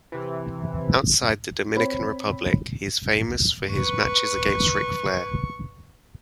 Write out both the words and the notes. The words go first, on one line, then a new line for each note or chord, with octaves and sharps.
Outside the Dominican Republic, he is famous for his matches against Ric Flair.
C3 E3
C4 C#5 B5
B4 C#6